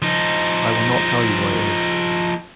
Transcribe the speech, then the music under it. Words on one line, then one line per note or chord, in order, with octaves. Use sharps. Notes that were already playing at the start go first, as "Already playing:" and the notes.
I will not tell you what it is.
F3 D#4